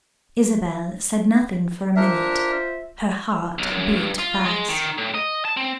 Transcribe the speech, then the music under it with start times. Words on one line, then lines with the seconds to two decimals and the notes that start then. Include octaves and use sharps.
Isabel said nothing for a minute; her heart beat fast.
1.96 D4 F4 A#4 C5 E5
3.58 B1
3.71 F#2
3.96 G2
4.19 F4
4.45 G#3
4.68 D#3
4.98 A2
5.15 D#5
5.45 A5
5.57 C4